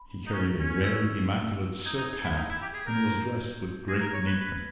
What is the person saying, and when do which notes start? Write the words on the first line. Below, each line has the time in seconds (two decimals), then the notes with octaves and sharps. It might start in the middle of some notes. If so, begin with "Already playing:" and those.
He carried a very immaculate silk hat and was dressed with great neatness.
Already playing: B5
0.27 D#4
0.33 C#4 C#6
0.59 C#4
0.84 E6
1.85 D#4 G#6
1.98 D#4
2.24 E4
2.36 D#4
2.49 E4
2.62 G4
2.74 G#4
2.86 A#4 G6
3.88 G#4 A#6
4.00 A#4 G#6
4.11 C#5 A#6
4.26 B4
4.40 B4